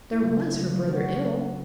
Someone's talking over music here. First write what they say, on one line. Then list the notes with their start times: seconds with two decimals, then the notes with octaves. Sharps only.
There was her brother ill!
0.13 E4
0.22 C#3 F#3 A3 F4
0.56 C#3 F#3 A3
0.89 C#3 F#3 A3 F#4